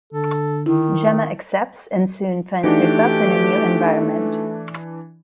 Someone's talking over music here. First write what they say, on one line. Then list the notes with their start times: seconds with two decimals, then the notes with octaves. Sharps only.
Gemma accepts and soon finds herself in a new environment.
0.13 D3 A4
0.66 D#3 E4
2.64 E3 A3 D4 D#4 F#4 G4